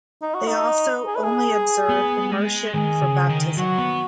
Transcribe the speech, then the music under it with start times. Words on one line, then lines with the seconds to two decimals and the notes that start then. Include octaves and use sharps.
They also only observe immersion for baptism.
0.22 D#4
0.34 F#4
0.47 D#4
1.07 G#4
1.15 B4
1.24 G#4
1.89 B3
2.32 G#3
2.74 D#3 G#4
3.01 C#3
3.29 D#3
3.57 F#3 F#4
3.78 B3